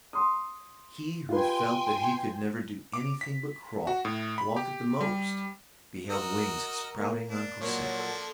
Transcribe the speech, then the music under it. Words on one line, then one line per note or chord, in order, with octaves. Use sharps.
He who felt that he could never do anything but crawl, walk at the most, beheld wings sprouting on Cosette.
C6 D#6
F4 G4 B4 G5 G#5 C6
D6
B6
F#4
A2
B5
G4
G3
F#4 A#4 D#5 E6
A#3
D4
A#2 F3 F#3 A#3 D4 C#5
A4